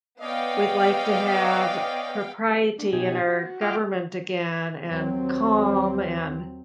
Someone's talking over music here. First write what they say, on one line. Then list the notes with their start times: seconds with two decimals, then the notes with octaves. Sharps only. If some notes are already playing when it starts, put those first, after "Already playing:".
we'd like to have propriety in our government again, and calm and
0.21 B3 C#4 D5 D#5 F5 G5
2.78 D4
2.93 B2 D#4 G4 G#5
3.28 F#4
3.61 F4 E5 F#5 G5 D6 F6
4.90 D#2 F#3 C4